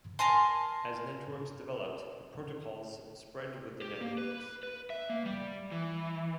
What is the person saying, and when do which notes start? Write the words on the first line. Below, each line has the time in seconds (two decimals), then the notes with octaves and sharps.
As networks developed, the protocols spread with the networks.
0.19 A#4 G#5 A5 C6
3.82 G4
4.01 A#3
4.18 B4
4.63 B4
4.90 E5
5.10 A#3
5.25 G3
5.72 E3